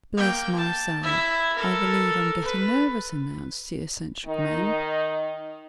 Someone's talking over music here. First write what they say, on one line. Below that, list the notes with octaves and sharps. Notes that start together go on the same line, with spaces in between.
"Bless my soul, I believe I'm getting nervous," announced the eccentric man.
A#3 G5
A5
E4 E5
A4 A#4
B4
D#3 D#4